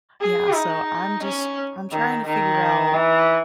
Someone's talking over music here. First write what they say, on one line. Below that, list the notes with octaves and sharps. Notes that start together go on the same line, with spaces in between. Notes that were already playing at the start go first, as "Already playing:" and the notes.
Yeah, so, I'm just I'm trying to figure out
G#4
D#4
C#4
D#3
D#3
E3